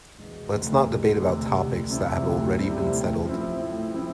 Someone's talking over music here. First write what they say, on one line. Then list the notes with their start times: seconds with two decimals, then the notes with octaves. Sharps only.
Let's not debate about topics that have already been settled.
0.18 E1
0.52 D2 C3
0.87 E1
1.21 D2 C3
1.55 D2
1.89 C3 G3 C4 E4
2.23 D2
2.57 C3 G3 C4 E4
2.91 A2
3.25 F3 C4 E4
3.60 A2
3.93 F3 C4 E4